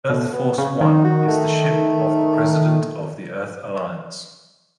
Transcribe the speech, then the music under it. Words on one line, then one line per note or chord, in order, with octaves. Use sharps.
"EarthForce One" is the ship of the President of the Earth Alliance.
B2 A3
B3
C#3 C#4
D#3 D#4
F#4
A3